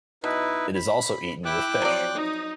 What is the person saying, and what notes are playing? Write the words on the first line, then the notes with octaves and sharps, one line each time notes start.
It is also eaten with fish.
B2 D#4 E4 B4
B5
E4 G5 D6 F#6
F3 F#3 C4 D5
D#4